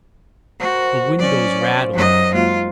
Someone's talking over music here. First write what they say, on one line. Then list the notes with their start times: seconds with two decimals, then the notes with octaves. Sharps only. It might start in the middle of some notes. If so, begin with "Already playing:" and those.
The windows rattled.
0.60 F#4 A#4 C5
1.19 F#3 C#4 D5
1.61 C5 F5
1.94 F#2 D#4 G4 D#5 F#6
2.34 G#3 A#3 F4 F#4